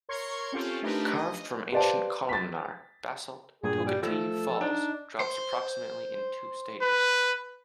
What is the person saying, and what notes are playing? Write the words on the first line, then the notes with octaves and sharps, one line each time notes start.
Carved from ancient columnar basalt, Toketee Falls drops approximately in two stages.
A#4 C#5 C6 C#6 G#6
C4 C#4 F4 G4 A4
A3 D4 D#4 G4 A#4 B4
D#5
G4 B4 C5 D5 F5 A5
A6 B6
G2 A#2 G#4
G3
F3 A3 A4
D4 D#4
C5
B4